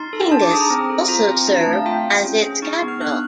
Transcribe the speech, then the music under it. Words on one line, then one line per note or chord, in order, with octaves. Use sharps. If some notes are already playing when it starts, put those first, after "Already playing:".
Tingis also served as its capital.
Already playing: D#4 C6
A4
D4 A5
D6
G#4 D#6
A#5
C4
A4
F4 A#5
C4
D4 A#5
A5
A3
F5
F4 G5
C4
C#4
G#4
D#4 C#6
C#6
B3
F6
D4 F#6